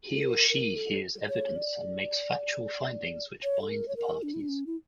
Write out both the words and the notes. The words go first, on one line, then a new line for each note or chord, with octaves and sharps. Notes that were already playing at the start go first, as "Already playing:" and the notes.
He or she hears evidence and makes factual findings which bind the parties.
A4
A#4
A#4
A4
C#5
D5
C#5
A4
A#4
C#5
A#4
D4
E4
D4
C#4
E4